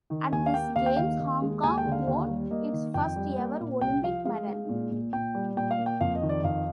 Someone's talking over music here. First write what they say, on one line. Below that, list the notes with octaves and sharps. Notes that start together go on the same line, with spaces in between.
At these Games, Hong Kong won its first ever Olympic medal.
D#3
D#2 G#5
F5
A#3 G5
D#2 F5
G5
D#3 F5
D#2
G#3
D#2 G#5
G5
D3
F5
D#2
G3
A#3 D#5
D#3
F2 G5
G3
A#3
A#2
C2 G5
F3 F5
G#3 F5
G#3
A#2
A#2
A#2 G5
G3
A#2 G5
F5
A#3
G5
F2 F5
D#5
D#3
D5
F2 F5